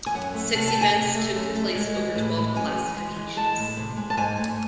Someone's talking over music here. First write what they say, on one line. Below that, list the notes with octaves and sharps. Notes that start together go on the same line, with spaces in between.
Six events took place over twelve classifications.
G#5
F#2 F#5
A3
C3 A5
A5
A3
G#5
C3
A3
F#2
A3
G#3
E3
A2
G#3
F#2 G#5
E3
G#3
E3
G#3 A5
A2
C3
G#3
A5
G#2 G#5
A3